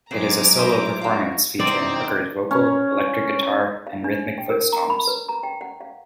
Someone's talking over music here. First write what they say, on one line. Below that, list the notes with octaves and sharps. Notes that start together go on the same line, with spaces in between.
It is a solo performance featuring Hooker's vocal, electric guitar, and rhythmic foot stomps.
B2 F#3 G#3 A#3 C4 A#5 D6
A#4 C5 E5
F4 F#4
E2 C3 C4 D#4 D5 G5
C#4
F5
D4
G5
A#4
A#5
B5
B4
A#5
G5
F#5
F5